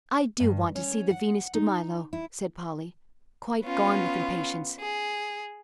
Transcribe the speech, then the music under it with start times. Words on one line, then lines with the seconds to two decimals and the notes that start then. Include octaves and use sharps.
"I do want to see the Venus de Milo," said Polly, quite gone with impatience.
0.40 G2
0.75 C#4
1.11 F#5
1.54 D#4
2.13 E4
3.62 B3 C#4 F4
4.81 G#4